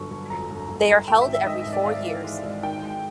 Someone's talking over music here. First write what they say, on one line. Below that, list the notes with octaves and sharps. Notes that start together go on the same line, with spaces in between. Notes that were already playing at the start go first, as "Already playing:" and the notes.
They are held every four years.
Already playing: G1 D3 F#3 C#6
G1
F2 A#5
G1
G1
G1
G#1 G5
E5
G#1
E5
G#2 D#5
D#5
G#2
D5
G#1 F5
E3
G#3
G#1
D#3 G5
G#3